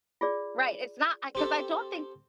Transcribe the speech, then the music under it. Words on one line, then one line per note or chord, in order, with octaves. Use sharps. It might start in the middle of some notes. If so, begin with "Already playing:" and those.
Right, it's not I 'cause I don't think
F4 G#4 D5
C4 G4 A4